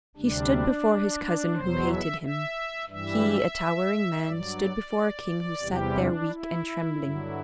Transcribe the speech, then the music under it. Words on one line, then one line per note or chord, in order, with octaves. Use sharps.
He stood before his cousin who hated him; he, a towering man, stood before a king who sat there weak and trembling.
D2 C3 G3 D4
E2 B2 F#3 C5
E5
E5
G2 E3 G3 E5
G2 F#3 D5
E2 C3 E3 G3 G4
D4
E4
G2 D3 F#3